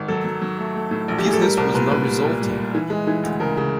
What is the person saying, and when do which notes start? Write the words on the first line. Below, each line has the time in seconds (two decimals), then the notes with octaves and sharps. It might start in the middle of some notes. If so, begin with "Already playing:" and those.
Business was not resulting.
Already playing: G#1
0.08 F#3 A4
0.25 F#3
0.42 F#3
0.59 A3
0.76 A3
0.91 A2
1.08 A#1
1.18 G4
1.25 A2 G#4
1.33 A4
1.42 G3 A#4
1.57 C2 A#4
1.75 A#2 B4
1.91 C2 B4
2.07 G3
2.25 A#2
2.41 G3
2.58 G3
2.75 E3
2.90 G#3
3.07 E3
3.23 D2
3.40 C#3 A#4
3.57 C#3